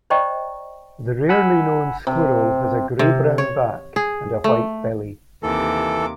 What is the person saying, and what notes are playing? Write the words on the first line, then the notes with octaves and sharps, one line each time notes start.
The rarely known squirrel has a grey-brown back and a white belly.
C5 D5 D#5 G5 A#5 C#6
F#5 G#5 B5 E6
C3
C3
C#5
G#4
A3
D#2 C3 E3 A4 D6